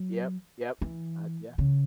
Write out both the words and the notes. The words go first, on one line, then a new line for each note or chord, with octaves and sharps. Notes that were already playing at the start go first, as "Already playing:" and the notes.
Yep, yep. I yeah.
Already playing: F#3
E3
C#3